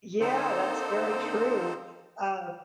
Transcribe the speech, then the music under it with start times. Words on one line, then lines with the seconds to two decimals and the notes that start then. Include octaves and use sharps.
Yeah, that's very true, uh
0.20 D3 A#3 C4 D#4 A4 C5